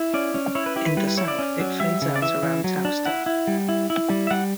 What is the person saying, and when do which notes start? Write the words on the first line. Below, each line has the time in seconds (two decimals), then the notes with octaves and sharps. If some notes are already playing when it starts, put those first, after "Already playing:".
In the south, it fades out around Towcester.
Already playing: E4
0.14 C#4 D5
0.34 C#4
0.55 E4 C#5
0.66 B4
0.76 E4 G4
0.86 B4
0.97 G3 B4
1.07 B4
1.18 E4 C#5
1.28 D5
1.39 C#4
1.60 F#3
1.80 G3 E5
2.02 C#3
2.16 D5
2.22 E3 E5
2.43 E3
2.64 F#3
2.85 D4
3.06 E4 F#5
3.26 E4
3.47 G3
3.69 E4
3.90 E4
4.10 G3
4.27 E5
4.31 G3 F#5